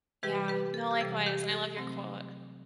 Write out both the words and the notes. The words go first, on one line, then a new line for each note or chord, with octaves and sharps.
Yeah, no, likewise, and I love your quote.
C3 E3 G3 G4 B4
G4 B4
A4
G4
C3 E3 G3 A4
G4
A4
C3 F#3 A3 C4